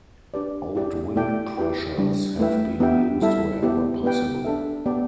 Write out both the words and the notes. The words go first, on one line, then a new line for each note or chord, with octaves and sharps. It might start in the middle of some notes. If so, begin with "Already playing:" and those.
Old wind pressures have been used wherever possible.
D4 G4 B4 D5
E4 G4 D5
A3 E4 A4 D5 G5
E4 G4 B4 G5
G3 D4 G4
A3 E4 B4 E5 G5
B3 D4 G4 E5 G5
G3 E4 A4 E5
B3 E4 G4
B3 G4 B4 G5
D4 A4 E5
B3 G4 D5 G5